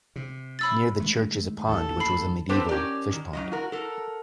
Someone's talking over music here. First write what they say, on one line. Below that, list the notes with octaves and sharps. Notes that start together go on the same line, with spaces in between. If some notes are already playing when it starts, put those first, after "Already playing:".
Near the church is a pond which was a medieval fishpond.
C3
B5 E6 A6
D#3 G#3 A3
A1 D#2 D#3 A4
B5 C7
B3 C4 G4 A4 B4 C5
C#4 G4 A#4 D5
D#3
F#2 D#3 D#5
F#4 A#4
A4 A#4